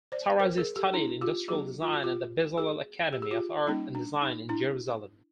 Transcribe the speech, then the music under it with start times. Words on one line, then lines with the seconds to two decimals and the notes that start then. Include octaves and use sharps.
Tarazi studied industrial design at the Bezalel Academy of Art and Design in Jerusalem.
0.12 C5 D5
0.40 A#4 C5
0.57 G#4 A#4
0.76 G4 A4
0.94 D4 E4
1.21 F4 G4
1.48 F#3 A#3 D4 F#4 G#4
1.82 F4
1.93 F#4
2.03 F4 G4
2.58 F#4 G#4
3.13 G4
3.22 G#4
3.31 F4 G4
3.67 G3 A#3 C#4 D#4
3.95 D4
4.22 D#4
4.49 D4 E4